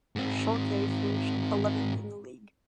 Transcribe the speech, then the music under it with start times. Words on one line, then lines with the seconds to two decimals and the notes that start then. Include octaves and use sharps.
Schalke finished eleventh in the league.
0.16 G#2 C4